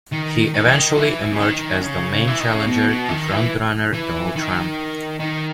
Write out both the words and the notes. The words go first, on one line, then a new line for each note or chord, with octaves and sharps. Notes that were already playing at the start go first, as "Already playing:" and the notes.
He eventually emerged as the main challenger to frontrunner Donald Trump.
D#3
D#3
E3
D#3
E3
C#3
D#3
C#3
E3
D#3
C#3
B2
B2
D#3
E3
E3
D#3
D#3